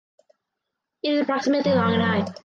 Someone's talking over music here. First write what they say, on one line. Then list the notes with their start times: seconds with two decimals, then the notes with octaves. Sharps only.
It is approximately long and high.
1.64 G2 F3 F#3